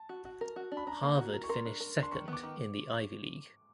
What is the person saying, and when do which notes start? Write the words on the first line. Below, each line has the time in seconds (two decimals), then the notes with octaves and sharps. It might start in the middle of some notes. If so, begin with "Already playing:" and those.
Harvard finished second in the Ivy League.
Already playing: A5
0.09 F#4
0.25 F#4
0.41 A#4
0.56 F#4
0.72 D4
0.77 B5
0.87 D4 A#5
1.03 A#3
1.18 F#4
1.34 A#4
1.44 C#6
1.49 A#4 C6
1.65 D4
1.80 A#4
1.97 D4
2.03 C6
2.12 D#3 C#6
2.28 B3
2.33 D6
2.43 D#3